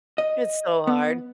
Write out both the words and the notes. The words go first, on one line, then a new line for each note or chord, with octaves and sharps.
It's so hard.
D#5
B3